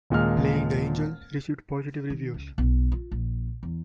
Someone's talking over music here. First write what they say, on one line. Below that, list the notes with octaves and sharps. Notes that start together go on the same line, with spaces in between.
"Playing the Angel" received positive reviews.
D#1 A#2 G#3 F6
D#3
C#2
B1
F4
A#1
E2